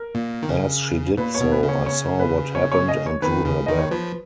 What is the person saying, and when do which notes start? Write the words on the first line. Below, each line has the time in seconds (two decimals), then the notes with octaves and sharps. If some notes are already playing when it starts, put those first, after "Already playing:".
As she did so, I saw what happened and drew her back.
Already playing: A#4
0.15 A#2
0.43 D#3
0.49 C#3
1.18 A#2 B4
1.35 C#5
1.41 B2
1.52 B4
1.63 C#3
1.69 C#5
1.86 C#5
2.20 B4
2.55 C#5
2.72 C#5
2.88 D#5
3.06 C#5
3.22 D#3 B4
3.45 C#3
3.66 D#3 D#5
3.79 C#5
3.91 F3 B4